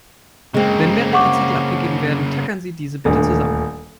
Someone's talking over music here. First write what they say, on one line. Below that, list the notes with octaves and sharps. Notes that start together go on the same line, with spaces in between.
Wenn mehrere Zettel abgegeben werden, tackern Sie diese bitte zusammen.
C#3 G#3 A#3 C4
F#5 C#6 D6
D#1 D2